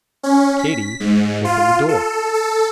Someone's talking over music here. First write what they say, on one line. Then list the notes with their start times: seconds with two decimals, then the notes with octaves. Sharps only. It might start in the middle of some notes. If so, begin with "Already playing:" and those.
Katy opened the door.
0.23 C#4
0.59 B6
1.00 G#2
1.45 F4
1.88 A4
2.34 A4